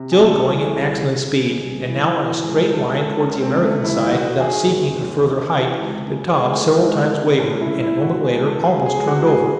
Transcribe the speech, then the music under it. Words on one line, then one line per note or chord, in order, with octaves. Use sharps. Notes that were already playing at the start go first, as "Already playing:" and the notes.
Still going at maximum speed, and now on a straight line toward the American side, without seeking a further height, the Taube several times wavered, and, a moment later, almost turned over.
Already playing: C3
G#4
C2 A4
E3 G#4
C2
C2
C3
C2
E3
E3
C#2 G#4
C#2 A4
G#4
C#2 A4
C#4
C#2
C4
C#2
A3
D#2 E4
D#2 F#4
D#3 G#4
D#2
D#2
D#3
E3
C#2
C#3
C#2 G#4
A3
E3
G#3
C#2
A3
C3 C4
C#4
C#2
E4
C#2
E4
E3 F#4
G#4
C#2
A4
C#2
G#4
C#2 G#4
F#4
C#2
G#4